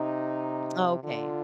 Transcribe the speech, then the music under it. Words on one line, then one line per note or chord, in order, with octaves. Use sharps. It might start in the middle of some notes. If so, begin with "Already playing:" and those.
Oh, okay.
Already playing: C3 D#4
D3 F4